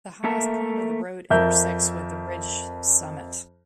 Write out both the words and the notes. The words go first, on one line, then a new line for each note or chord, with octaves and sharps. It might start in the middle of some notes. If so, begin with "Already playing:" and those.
The highest point of the road intersects with the ridge summit.
A3 A#3 A4 A#4 E5 A5
F2 A#4 E5 G6